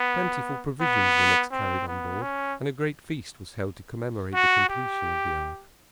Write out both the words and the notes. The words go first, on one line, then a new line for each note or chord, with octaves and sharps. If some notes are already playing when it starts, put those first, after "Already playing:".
Plentiful provisions were next carried on board and a great feast was held to commemorate the completion of the ark.
Already playing: B3
B3
C4
B3
C#4
F#4
G4